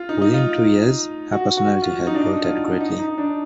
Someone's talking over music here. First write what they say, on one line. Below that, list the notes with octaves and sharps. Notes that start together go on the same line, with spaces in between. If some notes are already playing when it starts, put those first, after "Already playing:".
Within two years, her personality had altered greatly.
Already playing: F4
D#4
D#4
F4
F#4
F#4
F4
D#4
D4
D#4
F4
D#4
D#4
D4